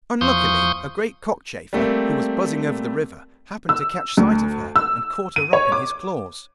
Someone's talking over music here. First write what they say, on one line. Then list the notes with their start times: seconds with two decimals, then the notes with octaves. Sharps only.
Unluckily, a great cockchafer, who was buzzing over the river, happened to catch sight of her, and caught her up in his claws.
0.21 E2 F3 C6 C#6 D#6 G6
1.73 G3 A3 A#3 C4
3.69 E6
4.17 D2
4.76 E6
5.36 D#7
5.53 C#5
5.72 D6